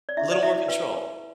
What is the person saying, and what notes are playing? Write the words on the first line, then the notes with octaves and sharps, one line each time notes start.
Little more control.
D5
E4 E5
D5
E4 E5
B4 F5
B4